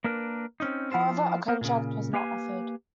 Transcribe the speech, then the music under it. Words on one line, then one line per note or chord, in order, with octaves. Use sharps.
However, a contract was not offered.
A#3 D4 A#4 B4
C4 C#4 D#4
F3 E4 F4 C5
B3 A#4 C5
A#2 C#3
A#3 G4 B4 F5 G5 G#5